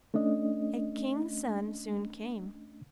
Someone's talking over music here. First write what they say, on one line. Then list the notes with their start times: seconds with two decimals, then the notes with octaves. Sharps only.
A king's son soon came.
0.14 A3 C#4 D4 D#5